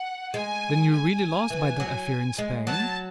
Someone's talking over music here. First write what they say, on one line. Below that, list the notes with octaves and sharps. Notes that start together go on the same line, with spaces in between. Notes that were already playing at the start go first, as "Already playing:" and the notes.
"Then you really lost by that affair in Spain?"
Already playing: F#5
G#3 G#5
G#5
E3
F#3
G#3
F#3 A5